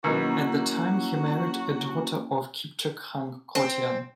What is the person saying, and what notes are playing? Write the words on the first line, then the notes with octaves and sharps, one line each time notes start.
At that time, he married a daughter of Kypchak Khan Kotian.
D#2 B2 F#3 A#3 C#4 E4 F#4
C4